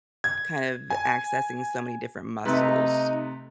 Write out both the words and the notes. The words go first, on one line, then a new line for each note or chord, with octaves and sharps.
kind of accessing so many different muscles.
G#6
G#5
C3 A3 D#4 B4